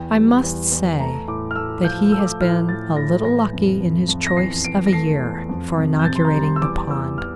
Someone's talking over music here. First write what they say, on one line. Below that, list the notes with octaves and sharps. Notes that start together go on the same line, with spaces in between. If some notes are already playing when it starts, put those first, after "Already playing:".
I must say that he has been a little lucky in his choice of a year for inaugurating the pond.
Already playing: E2 G5
G3
E2
E2
A3 A#5
A2 D6
F6
A3 E6
F3 G6
A3 E6
D6
E6
A2 F6
A3 A6
A2 A#6
E3 A#6
F2
F2
F2
A#6
E2 C7
E2 D7
A#6
A3 C7
E2
F2
C3
G6
C3 A6
C6
A#5
G3
C6
E6
E2 D6
E2 E6
E3 F6